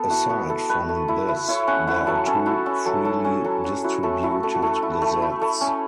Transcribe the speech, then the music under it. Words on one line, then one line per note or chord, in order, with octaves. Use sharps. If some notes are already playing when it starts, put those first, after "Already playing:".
Aside from this there are two freely distributed gazettes.
Already playing: B3 A4
E4 F#4
B3 F#4
E4 A4
A3 B4
A3
E4
E4
E4 C#5
C#4 F#5
E4 F#5
F#3 A4
C#4 A4
E4 F#4
C#4 F#4
F#3 A4
F#3 A4
C#4
F#3 A4
F#3
E4 F#4
A3 A4
E4 F#4
A3 A4
F#4
A3 A4
E4
A3
E4
A3
C#4